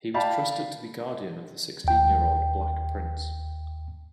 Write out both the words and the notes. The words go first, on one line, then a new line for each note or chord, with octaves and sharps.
He was trusted to be guardian of the sixteen-year-old Black Prince.
D5 F5 G5 A5 B5
D#2 G5